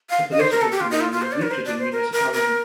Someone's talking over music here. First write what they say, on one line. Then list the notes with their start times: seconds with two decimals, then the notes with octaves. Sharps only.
Her political career is rooted in municipalism.
0.10 F5
0.31 D#5
0.40 C5
0.51 A#4
0.62 A4
0.72 G4
0.81 F4
0.91 D#4
1.01 F4
1.12 F4
1.22 C5
1.32 D5
1.42 A#4
1.51 C5
1.65 D5
1.79 C5
1.92 A#4
2.12 A#4
2.33 A#4